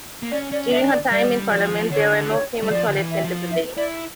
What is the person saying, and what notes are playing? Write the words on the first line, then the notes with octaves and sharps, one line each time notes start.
During her time in Parliament there were no female toilets in the building.
A#3
C#4 D5
C#4 D5
D4 E5
D5
G3 D5
F3 D5
D3 C#5
C#5
G3
F3 D5
D3
E3
E5
F3
E5
E4 D5